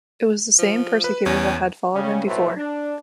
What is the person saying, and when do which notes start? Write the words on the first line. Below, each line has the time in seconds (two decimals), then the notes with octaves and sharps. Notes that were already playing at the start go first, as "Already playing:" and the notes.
It was the same persecutor that had followed him before.
0.59 F3
1.04 B4
1.26 E2 C#4
1.93 C#3 G3 C#4
2.26 B1 A2 F#3 A3 B4 C5
2.56 D4